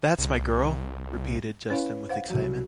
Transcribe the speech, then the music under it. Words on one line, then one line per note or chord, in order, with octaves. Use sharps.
That’s my girl! Repeated Justin with excitement.
C2
C#4 E4 B4 C#5 F5
C5 F5 F#5
C2 F#3